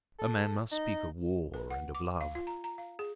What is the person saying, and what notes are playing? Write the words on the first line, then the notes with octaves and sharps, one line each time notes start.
A man must speak of war and of love.
A4
D#4
B4
F#5
D6
F5
F4
A#5
A#5
F5
G#4